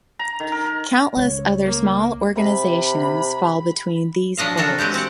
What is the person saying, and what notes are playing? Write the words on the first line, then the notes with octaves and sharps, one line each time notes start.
Countless other small organisations fall between these poles.
A#5
D#3
A#4
A#4
C#2 C#5
A#3
C3 B5
F3 F#3 D4 D#5 F5
D4 F#4 A4 A#4
F#3 G#3 C4 G4
C4 F#5